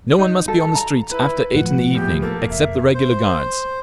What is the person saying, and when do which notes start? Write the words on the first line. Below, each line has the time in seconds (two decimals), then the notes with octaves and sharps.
No one must be on the streets after eight in the evening, except the regular guards.
0.19 D#4
0.48 A4
0.75 A#5
1.11 E4 B4
1.55 A2 F3 F#5
1.95 E2 G4
2.22 A#3 A4
2.50 F1 E5
2.94 C5